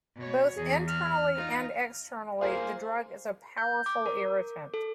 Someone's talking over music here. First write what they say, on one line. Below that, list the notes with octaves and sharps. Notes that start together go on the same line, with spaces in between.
Both internally and externally the drug is a powerful irritant.
B2 C#5
E2 G#4
F6
D#4 F4
A#3 F4 G#4 A#4 C5 G#5
G6
D6
A#4
A4